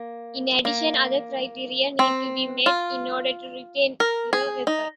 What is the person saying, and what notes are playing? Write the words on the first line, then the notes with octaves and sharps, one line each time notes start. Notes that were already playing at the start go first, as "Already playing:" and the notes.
In addition, other criteria need to be met in order to retain your weapon.
Already playing: A#3
A#3
C4
F4
A#4
G#4
D#4